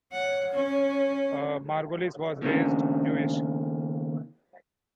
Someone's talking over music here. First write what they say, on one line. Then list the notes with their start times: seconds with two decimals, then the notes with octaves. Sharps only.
Margolis was raised Jewish.
0.12 C#5 F#5
0.54 C#4
2.42 D#2 A2 C#3